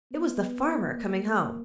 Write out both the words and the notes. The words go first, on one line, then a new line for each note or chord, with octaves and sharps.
It was the farmer coming home.
B3
A#3